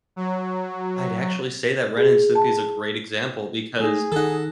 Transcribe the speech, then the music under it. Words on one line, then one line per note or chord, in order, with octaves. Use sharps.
I'd actually say that Ren& Simpy is a great example because
F#3
G#4
A5
A3 D#4 G#4
D#3 D#4 A4 F#5